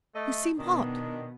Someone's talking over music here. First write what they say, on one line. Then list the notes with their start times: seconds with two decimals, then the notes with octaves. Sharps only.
"You seem hot."
0.15 A3 D#5
0.59 B2 D#3 B3 D4